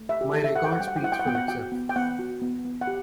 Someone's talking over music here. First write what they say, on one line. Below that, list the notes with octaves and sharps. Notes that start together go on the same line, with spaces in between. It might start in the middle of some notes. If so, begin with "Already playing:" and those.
My record speaks for itself.
Already playing: A3
G4 E5
G4
E4 A4
E5
G4 F#5
G5
F#5
G3 G5
F#5
G5
E4 F#5
G5
F#5
B3 G5
F#5
F#4 G5
B3
G5
B3 F#5
F#4
B3
B3
F#5
G4